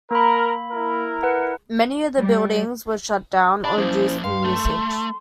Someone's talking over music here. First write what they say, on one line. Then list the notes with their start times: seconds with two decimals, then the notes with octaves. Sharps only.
Many of the buildings were shut down or reduced in usage.
0.11 A#3 A#4 B5
0.72 E4 A#4
1.23 B4 F#5
2.19 G3
3.64 D5 A5 B5
3.77 F3 A#3 C#4 E4 C5 F5
4.24 G2 F5 C6
4.45 A3
4.69 A4